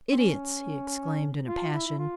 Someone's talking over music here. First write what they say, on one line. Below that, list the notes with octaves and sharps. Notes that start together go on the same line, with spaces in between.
'Idiots!' he exclaimed, in a passion.
C4
C#4
F4
E4
E4
F4